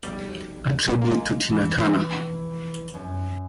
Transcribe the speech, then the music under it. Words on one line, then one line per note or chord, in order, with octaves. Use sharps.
A Tribute To Tina Turner.
B1 G3
G#3 A#3
E3
F#2